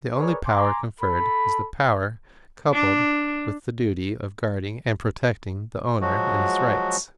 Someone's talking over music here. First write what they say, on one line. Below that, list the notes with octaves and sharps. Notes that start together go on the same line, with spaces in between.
The only power conferred is the power coupled with the duty of guarding and protecting the owner in his rights.
G#4 A#4 B4 C#5 D5
G#5 A#5 C6 D6
A4 B5
D4
F3 F#3 G#3 F#4